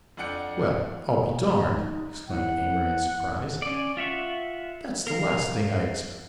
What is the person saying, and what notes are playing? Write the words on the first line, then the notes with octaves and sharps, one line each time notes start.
"Well, I'll be darned!" exclaimed Amory in surprise, "that's the last thing I expected."
F2 D4 D5 F#5 G5 C#7
D#4
E4 F#5
C#4 D5
F4 E5 F#5 C#6
A#4 F5